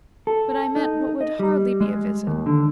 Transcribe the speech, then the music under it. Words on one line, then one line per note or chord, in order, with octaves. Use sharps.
But I meant what would hardly be a visit.
A4
D#4
D#5
G3
G#3
D#2
D3